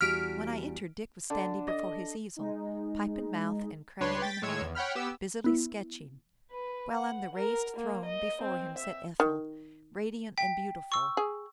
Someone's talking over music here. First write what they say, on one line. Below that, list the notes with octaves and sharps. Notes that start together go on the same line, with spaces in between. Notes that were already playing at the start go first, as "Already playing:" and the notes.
When I entered, Dick was standing before his easel, pipe in mouth and crayon in hand, busily sketching; while on the raised "throne" before him sat Ethel, radiant and beautiful.
E2 G3 F#4 F6 B6 D7
D3
D#5
G#3 D#4
C#2 D4 B4 C#5 C6
G5 A6 B6
A2 G#3 C#5 E6 G#6
E2
C#5 F#5 G5 B5 F6
B3 G4 E6
B3 E4
B4
F#5
A#4
A#3
D#5
C4
E5
D#3
G5 B6
C#6 E6
G#4